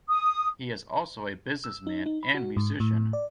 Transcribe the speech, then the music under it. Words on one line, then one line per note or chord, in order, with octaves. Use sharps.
He is also a businessman and musician.
D#6
E6
D#4
D#4
B5
F#4
G#2
A2
D5